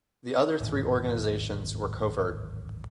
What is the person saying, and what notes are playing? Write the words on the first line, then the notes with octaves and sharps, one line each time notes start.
The other three organisations were covert.
D1 G#1 E2